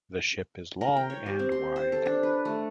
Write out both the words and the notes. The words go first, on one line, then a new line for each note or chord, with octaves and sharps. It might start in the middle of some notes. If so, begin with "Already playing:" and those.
The ship is long and wide.
A#4
G5
C#5
G4
C4
C6
C5
A4
D4
B4
A3